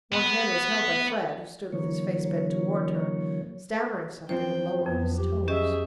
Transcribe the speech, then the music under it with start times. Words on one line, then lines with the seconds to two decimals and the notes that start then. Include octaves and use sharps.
One hand was held by Fred, who stood with his face bent toward her, stammering something in low earnest tones.
0.14 B3
1.72 D3 E3 F#3 A#3 C#5
4.29 F#2 F3 C4 C5 G5
4.86 F2 B3
5.16 G4
5.48 C#4 G4 G#4 D#5 E5